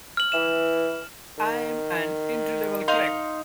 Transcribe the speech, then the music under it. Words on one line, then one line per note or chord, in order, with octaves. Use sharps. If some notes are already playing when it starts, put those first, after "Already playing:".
I'm an entry-level clerk.
F6 F#7
E3 E7
D#3
D#4 F5 C6